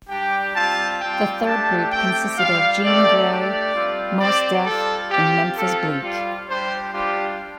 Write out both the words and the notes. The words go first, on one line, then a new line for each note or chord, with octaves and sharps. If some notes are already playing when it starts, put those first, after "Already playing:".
The third group consisted of Jean Grae, Mos Def and Memphis Bleek.
G3 D4 G4 G5
G3 C4 F4 A5
G3 C4 F4 G5
A3 D4 G4 A5
A3 C4 G4 G5
G3 F4 F5
A3 C4 G4 D5
A3 D4 G4 D5
G3 C4 F4
C4 G4 D5
G3 F4 A4
C4 F4 G4
C4 F4 A4
G3 F4
G3 D4 G4 C5
G3 D4 F4 G4